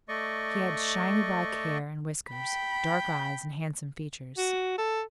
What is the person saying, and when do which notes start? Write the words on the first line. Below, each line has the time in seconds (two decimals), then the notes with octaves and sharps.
He had shiny black hair and whiskers, dark eyes and handsome features.
0.08 A3 D5 D#5 C#6
2.32 G5 B5
4.38 F#4
4.78 A4